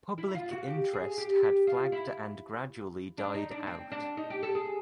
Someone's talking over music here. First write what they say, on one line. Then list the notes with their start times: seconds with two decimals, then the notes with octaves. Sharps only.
Public interest had flagged and gradually died out.
0.18 E4
0.35 F4
0.51 F#4
0.67 G4
0.93 G#4
1.18 G4
1.43 G4
1.67 F4
1.92 E4
3.18 D4
3.34 D#4
3.51 D4
3.67 C4
3.92 D4
4.17 D#4
4.30 G4
4.43 A4
4.55 G#4